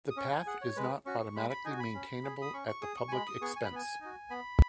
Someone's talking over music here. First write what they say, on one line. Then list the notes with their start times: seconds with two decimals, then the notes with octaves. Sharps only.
The path is not automatically maintainable at the public expense.
0.10 D#6
0.17 C#4 C#6
0.32 G#5
0.46 G#4 F#5
0.62 C#5
0.76 G#3 B4
1.06 C#4 F#4 C#6
1.20 C#6
1.36 G#3 B5
1.50 B5
1.65 D#4 F#4 G#5
1.80 B5
1.95 C#4
2.23 G#4
2.42 D#6
2.53 C#4 C#6
2.68 C#6
2.82 G#4 D#6
2.97 C#6
3.08 G#5
3.12 G#3 B5
3.27 D#6
3.41 B3 G#4 C#6
3.56 G#5
3.65 B5
3.71 B3 G#5
4.00 D#4 F#4
4.30 B3 B5